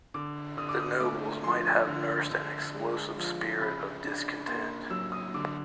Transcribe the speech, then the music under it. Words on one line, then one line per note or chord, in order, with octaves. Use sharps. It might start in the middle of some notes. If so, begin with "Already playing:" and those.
The nobles might have nursed an explosive spirit of discontent.
D3 D6
D3 D#6
D6
D#6
A3 D6
F3 C6
D3
D3
G#3
F3
C#3 B5
D4
A#3 C6
F#3 E6
D#6
D3 D6